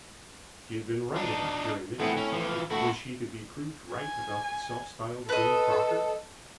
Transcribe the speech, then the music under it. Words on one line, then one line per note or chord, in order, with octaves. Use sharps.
She had been right about Jerry Mitchell; was she to be proved right about the self-styled Jimmy Crocker?
D4 D#4
A3 B3 C4 E4 G#4
C#4
E3 F3
A3 E4 F#4
G#5
A4 B4 D#5